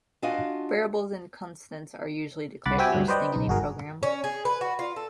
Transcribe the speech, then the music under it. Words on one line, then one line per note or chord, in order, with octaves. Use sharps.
Variables and constants are usually declared first thing in a program.
D4 F4 F#4 D#5 F5 G#5
C2 F#5 B5 D6 A6
C4 F#4 G4 E5 G5 G#5
D2 G2 F#3
B4 C5 D5 D#5 G5
B1 D#4
G1 F#4 G#4 A#4
C#4
G#4
B4
F#4
F4
A4